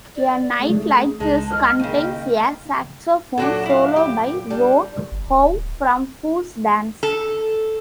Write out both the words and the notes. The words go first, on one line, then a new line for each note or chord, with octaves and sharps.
"A Night Like This" contains a saxophone solo by Ron Howe from Fools Dance.
D5
A3 G#4
C#2 G#3 D#4 A5
D#5 F6
D#2 C#3 A#3 G5
A#2 F#3 D4 F#4 A4
E4 F5
G4
G3 D4
G1
D1
A4